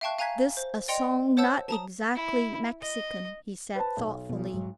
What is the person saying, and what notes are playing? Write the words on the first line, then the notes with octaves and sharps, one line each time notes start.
"This-a song not exactly Mexican," he said thoughtfully.
E5 F5 G5 A5 C#6 F#6
F5 G#5 A#5 F#6 G#6 B6
C5
D5 D#5 G5 C6 C#7 F7
C5 C#5 F#5 A5 E6 G6
A5 A#5 D#6
E4
D#5
B4 C5 A5
B1
B2 F3
G#2 F#3